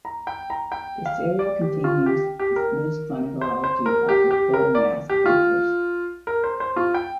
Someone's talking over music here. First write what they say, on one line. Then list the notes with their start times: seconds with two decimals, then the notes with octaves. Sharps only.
The serial continues the loose chronology of the Quatermass adventures.
0.05 A#5
0.27 G5
0.50 A#5
0.72 G5
1.06 F5
1.39 D5
1.61 G4
1.84 F4
2.06 G4
2.39 G4
2.56 A#4
3.41 C5
3.64 C5
3.86 A#4
4.09 G4
4.31 G4
4.53 A#4
4.75 D5
5.10 G4
5.26 F4
6.27 A#4
6.44 C5
6.60 C5
6.76 F4
6.94 G5